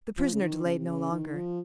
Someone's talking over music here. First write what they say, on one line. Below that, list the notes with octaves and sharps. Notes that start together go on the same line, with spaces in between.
The prisoner delayed no longer.
F3
C#3
D#3
C#3
C3
C#3
D#3
F3